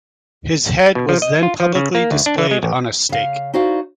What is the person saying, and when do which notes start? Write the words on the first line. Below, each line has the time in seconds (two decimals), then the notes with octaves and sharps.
His head was then publicly displayed on a stake.
0.95 B2
1.09 F3
1.22 D#5
1.43 F4
1.60 F3
1.75 C#3
1.95 A#3
2.11 D2
2.26 D4
2.38 E3
2.51 G#3
2.63 A1
3.09 C#3 F5
3.53 D#4 E4 F#4 C5 D5 F5